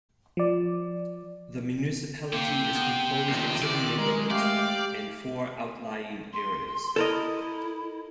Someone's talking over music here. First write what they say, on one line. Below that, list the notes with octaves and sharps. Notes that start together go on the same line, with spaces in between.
The municipality is composed of seven neighborhoods and four outlying areas.
F3 D5
C3 A#3 G5
B3
D#3 F3 A#3
D#3 E4 G4 D5
G#3 A#4
A3 G4 D5 F5
C6
E4 A4 A#4 D#5